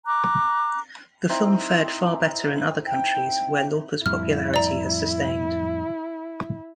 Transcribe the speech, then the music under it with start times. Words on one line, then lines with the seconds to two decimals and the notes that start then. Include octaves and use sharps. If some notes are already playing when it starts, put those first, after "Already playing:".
The film fared far better in other countries where Lauper's popularity has sustained.
0.05 A#5 D6 F#6
1.29 C4 D#4 E4
2.87 G5
4.06 F2 A2 G3 E4 F6
4.54 D5 A#5